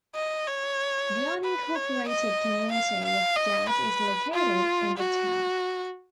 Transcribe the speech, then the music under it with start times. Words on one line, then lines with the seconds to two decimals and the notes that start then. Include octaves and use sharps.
The unincorporated community of Gad is located in the town.
0.15 D#5
0.47 C#5
1.44 B4
1.75 C#5
2.08 D#5
2.72 F5
3.05 F5
3.36 D#5
3.69 B4
4.33 F4
4.98 F#4